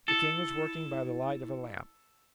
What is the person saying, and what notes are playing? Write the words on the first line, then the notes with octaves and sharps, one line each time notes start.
The king was working by the light of a lamp.
E4 A4